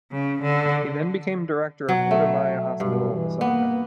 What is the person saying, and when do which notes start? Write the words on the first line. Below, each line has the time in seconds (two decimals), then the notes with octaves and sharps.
He then became Director of Otemae Hospital, Osaka.
0.12 C#3
0.42 D3
1.89 B2 F#3
2.11 A3
2.80 G2 B2
3.12 E3
3.41 A#3 B3